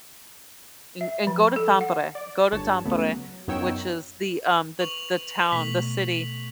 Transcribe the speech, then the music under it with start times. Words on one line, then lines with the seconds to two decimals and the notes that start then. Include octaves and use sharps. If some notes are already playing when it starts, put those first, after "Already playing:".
And and go to Tampere, go to Tampere, which is the, um, the the town, the city
1.01 E5
1.27 F3
1.56 A4
1.81 F#5
2.15 D5
2.52 G1 C#5 A5
2.85 C#2 A3 B3
3.07 F#3
3.48 F#2 B3 D#4 C#5 G5 E6
4.79 B4 C#6 F7 F#7
5.52 B2 A3 B6 F#7